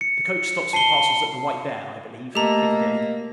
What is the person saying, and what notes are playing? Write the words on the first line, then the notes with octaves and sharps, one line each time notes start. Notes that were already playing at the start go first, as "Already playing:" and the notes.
The coach stops, for parcels, at the White Bear, I believe, Piccadilly.
C#7
A5 C7 C#7 G7
A3 A#3 G4 A4 D#5 A#5